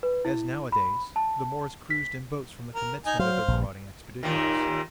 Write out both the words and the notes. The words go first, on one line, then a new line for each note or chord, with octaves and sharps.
As nowadays, the Moors cruised in boats from the commencement of their marauding expeditions.
B4
E4
B5
A5
B6
A#4
D#4 G#5
F#3 C5 F5
A#1
D#2 A#2 D#3